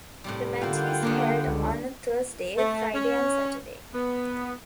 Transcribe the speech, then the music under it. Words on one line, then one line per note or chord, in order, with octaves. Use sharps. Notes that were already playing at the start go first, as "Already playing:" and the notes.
The match is held on a Thursday, Friday and Saturday.
A2 C3 G3
D3 A#3 E4 F4 F#5 G5
A#3 B3 D4 G4
C#2
A3
C#4
B3